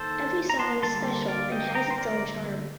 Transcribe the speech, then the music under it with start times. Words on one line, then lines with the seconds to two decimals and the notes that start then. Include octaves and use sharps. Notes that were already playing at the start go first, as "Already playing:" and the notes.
Every song is special and has its own charm.
Already playing: D#3 A#3 A4 C5
0.50 A#5
0.59 A5 C6
0.82 D3 G3 A#3 A5 C6
1.28 D5 F5
1.52 D#5 G5
1.75 G5 A#5
1.91 C5
1.98 A#4 D5